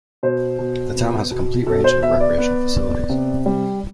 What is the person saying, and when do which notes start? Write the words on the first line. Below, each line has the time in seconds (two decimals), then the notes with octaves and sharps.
The town has a complete range of recreational facilities.
0.23 B2 C5
0.59 B2
0.95 B3
1.31 B2
1.67 B2 A4
1.84 C5
2.03 B3 E5
2.20 D5
2.38 B3
2.74 B3
3.09 C3
3.46 G3